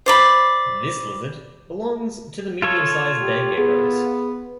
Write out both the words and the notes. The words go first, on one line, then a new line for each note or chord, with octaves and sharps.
This lizard belongs to the medium-sized day geckos.
C5 D5 B5
F4 A4 C#5
G4
B3 G#4